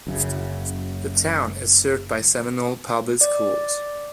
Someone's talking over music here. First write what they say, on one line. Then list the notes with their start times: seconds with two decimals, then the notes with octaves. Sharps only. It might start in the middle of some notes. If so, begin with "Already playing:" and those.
The town is served by Seminole Public Schools.
0.07 F#1 F#2 C#3
3.21 D5